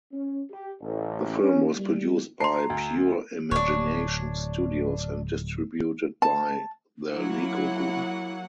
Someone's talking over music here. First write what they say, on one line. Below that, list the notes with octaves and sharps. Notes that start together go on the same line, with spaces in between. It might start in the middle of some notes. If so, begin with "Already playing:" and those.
The film was produced by Pure Imagination Studios and distributed by The Lego Group.
C#4
G4
A1
C#4
G3
A5 A#5 C6 C7
D2
D1 D4 C#5
A5
F#3 A#3 E4 F#5